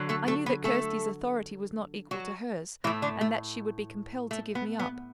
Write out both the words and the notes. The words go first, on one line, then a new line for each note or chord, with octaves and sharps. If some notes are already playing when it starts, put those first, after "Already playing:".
I knew that Kirsty's authority was not equal to hers, and that she would be compelled to give me up.
Already playing: D3 F#3
A3 A4
A3 A4
B3 B4
A3 A4
F#3 F#4
A2 E3 A3 E4
D3 D4
A3
A3
B3
B3